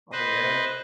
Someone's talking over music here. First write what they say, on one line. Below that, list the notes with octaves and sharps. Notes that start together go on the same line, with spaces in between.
Oh, yeah?
B4 C5 D#5